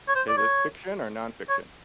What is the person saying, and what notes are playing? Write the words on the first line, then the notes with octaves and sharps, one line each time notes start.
Is this fiction or nonfiction?
C#5
C5
D5
C#5
C#5